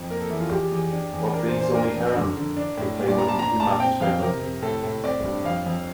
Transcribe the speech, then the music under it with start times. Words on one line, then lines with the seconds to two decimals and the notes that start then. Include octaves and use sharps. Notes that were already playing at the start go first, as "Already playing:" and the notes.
Of these only Heron would play more than two matches for England.
Already playing: F2
0.10 A#3 A#4
0.20 A4
0.30 E2 E4
0.40 F4
0.51 E2 G4
0.72 E2
0.93 D4
1.13 E2
1.33 D4 A#4
1.47 C5
1.54 A#2
1.60 C5
1.75 D4 A#4
1.95 F2
2.16 D3
2.37 D3
2.57 D4
2.77 A2
2.99 A#2
3.08 D5
3.19 A#2 A#5
3.28 A5
3.39 D4 A#5
3.60 A#2 A5
3.80 C4 G5
4.01 F2 F5
4.21 C3 A#4
4.42 C3
4.62 A2 A4
4.83 A2
5.04 C4 D5
5.24 G2
5.45 F2 F5
5.66 F2